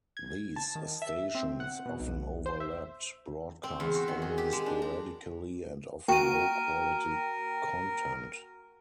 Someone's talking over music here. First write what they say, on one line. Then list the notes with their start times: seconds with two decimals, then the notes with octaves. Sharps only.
These stations often overlapped, broadcast only sporadically and often low-quality content.
0.17 G#6
0.56 A5
0.75 D#3
1.02 E5
1.35 C4
1.60 F#5
1.86 B2
2.00 B1
2.46 C5
2.60 E5
3.64 C4
3.80 E2
3.95 F#4
4.08 D#3
4.22 G#4
4.38 G4
4.53 G#3
4.66 D4
4.82 A#5
6.08 A#3 F#4 A#4 G5 D#7